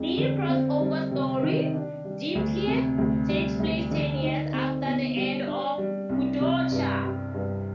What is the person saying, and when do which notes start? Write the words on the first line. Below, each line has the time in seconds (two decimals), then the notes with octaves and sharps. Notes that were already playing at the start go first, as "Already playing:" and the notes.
The crossover story, "Deep Clear", takes place ten years after the end of "Kodocha".
Already playing: F2 G#3
0.17 D3
0.49 C4
0.80 G3
1.11 C3
1.43 D#3
1.74 D4
2.05 G3
2.35 D2
2.67 C3
2.98 D2
3.29 G3
3.60 D2
3.91 D3
4.22 D#4
4.53 C4
4.85 B2
5.16 G3
5.47 D4
5.78 G3
6.09 C2
6.40 C3
6.72 G2
7.03 G3
7.34 G2